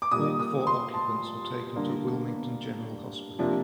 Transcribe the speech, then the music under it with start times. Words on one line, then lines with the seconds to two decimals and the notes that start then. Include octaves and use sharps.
All four occupants were taken to Wilmington General Hospital.
0.02 D6
0.11 A#2 G3 A#3 D#6
0.39 D#6
0.67 C6
0.94 A5
1.76 D3 G3 A#3 D4
3.39 C3 F3 A#3 D4